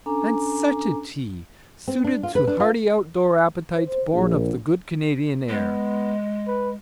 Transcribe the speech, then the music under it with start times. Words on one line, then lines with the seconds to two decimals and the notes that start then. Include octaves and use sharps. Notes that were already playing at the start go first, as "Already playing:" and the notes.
And such a tea, suited to hearty outdoor appetites born of the good Canadian air!
0.06 C#4 D4 A4 G#5 A#5 D6
1.88 C4
2.04 D4
2.23 F4
2.35 B4
2.47 D4
2.60 F4
3.77 C5
4.14 A#1
5.49 G#3 B3
6.47 B4